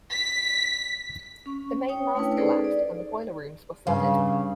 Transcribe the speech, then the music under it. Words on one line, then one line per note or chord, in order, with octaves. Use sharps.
The main mast collapsed and boiler rooms were flooded.
B6
C#4 C#6
C#5 G5 D#6
A3 C#4 D4 E4 B4
D#4 G#4 A4 B4 C5 D5
D5
G2 C#3 F5